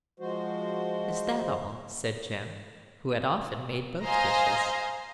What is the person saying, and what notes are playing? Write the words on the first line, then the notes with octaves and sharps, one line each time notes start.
'Is that all!' said Jem, who had often made both dishes.
F3 G#3 F#4 C5
C5 D#5 F5 G#5 A#5 C6